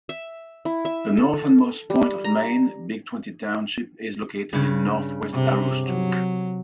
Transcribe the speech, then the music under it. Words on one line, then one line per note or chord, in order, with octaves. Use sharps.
The northernmost point of Maine, Big Twenty Township is located in Northwest Aroostook.
E5
E4
E5
A4
G3
A#5
G2 C#3
C3
F#3